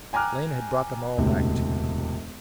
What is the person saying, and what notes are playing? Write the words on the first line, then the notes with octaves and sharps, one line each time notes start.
Lena had brought them all back to me.
G5 G#5 A#5 D6 F6 F#6
E1 D2 A2 C3